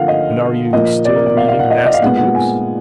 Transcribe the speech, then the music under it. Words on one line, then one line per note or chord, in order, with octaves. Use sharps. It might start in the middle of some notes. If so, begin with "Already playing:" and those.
"And are you still reading nasty books?"
Already playing: D3 F3 A#3 F5 F#5
D#5
A#2 F3 A#3 D#5
D5
A#4
D5
F5
F5
F#5
D#5
D5
D#5
F5
A#2 G#3 B3 F#5
F#5
G#5